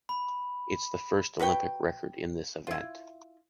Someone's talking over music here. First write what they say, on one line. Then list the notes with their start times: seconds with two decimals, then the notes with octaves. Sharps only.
It’s the first Olympic record in this event.
0.09 B5
1.39 F#4 B4 C#5 G5
2.67 E4 F4